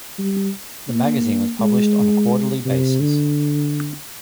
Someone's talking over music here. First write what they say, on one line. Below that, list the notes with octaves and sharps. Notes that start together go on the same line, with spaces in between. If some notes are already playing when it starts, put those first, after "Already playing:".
The magazine was published on a quarterly basis.
G3
A#3
G#3
C3
D3